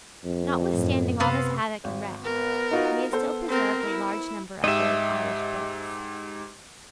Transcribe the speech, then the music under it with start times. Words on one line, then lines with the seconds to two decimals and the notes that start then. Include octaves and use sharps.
Notwithstanding all this havoc and wreck, we have still preserved a large number of old Irish books.
0.25 F2
0.72 F#2 A2
1.20 C3 B3 C4 F5
1.84 G#1
2.24 B3 A#4
2.71 D#4 F4 F#4
3.12 B3 A4 C5
3.50 C4 A#4
3.87 E4
4.64 G#2 G4 D#5 E5